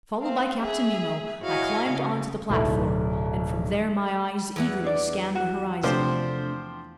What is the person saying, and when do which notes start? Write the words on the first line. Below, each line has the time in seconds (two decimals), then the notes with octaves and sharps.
Followed by Captain Nemo, I climbed onto the platform, and from there my eyes eagerly scanned the horizon.
0.20 C4 F5
0.62 G#4 E5
1.43 E4 F#4 C#5 D#5 F5 G#5
1.91 C#3
2.49 D1 B1 A3 E4
4.56 E2 E3 F#5
4.84 D4 D5
5.35 F#4
5.83 C3 F3 A3 D4 G4 C5